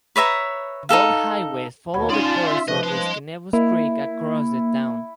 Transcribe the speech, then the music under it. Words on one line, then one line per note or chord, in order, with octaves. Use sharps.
Both highways follow the course of Schenevus Creek across the town.
B4 C#5 E5 A#5
D#4 G4 A4 F5
D#2 B2 C#5 F#5 B5
C#4 D#4 F4 D5 G#5 C6
A5
E5
C3 F3 A3 B4 D#5
F3 D#5 C6
A#3 E4